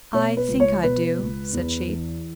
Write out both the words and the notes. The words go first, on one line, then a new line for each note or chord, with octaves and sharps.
"I think I do," said she.
B2 C#5
B4
C#2
C#5
B2 B4
C#2
E2
E3